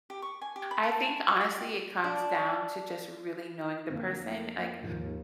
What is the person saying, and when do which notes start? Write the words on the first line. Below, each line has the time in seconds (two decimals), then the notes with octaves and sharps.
I think honestly, it comes down to just really knowing the person, like,
0.10 G4
0.22 C#6
0.42 G#5
0.56 G4
0.71 B5
0.83 A5
1.04 G#5
1.28 C#5
1.41 F#5
1.57 G4
2.04 D4
3.90 F2 D3 A#3 C4
4.83 D#2 G#2 F3